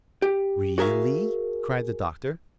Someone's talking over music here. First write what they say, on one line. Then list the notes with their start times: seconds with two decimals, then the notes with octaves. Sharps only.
"Really?" cried the Doctor.
0.22 G4
0.78 F#4 G#4 A#4 E5 F5